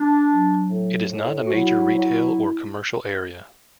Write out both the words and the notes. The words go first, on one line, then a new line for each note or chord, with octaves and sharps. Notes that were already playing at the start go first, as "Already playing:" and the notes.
It is not a major retail or commercial area.
Already playing: D4
F#3
A2
A2
F#4
F#3 E4
F#3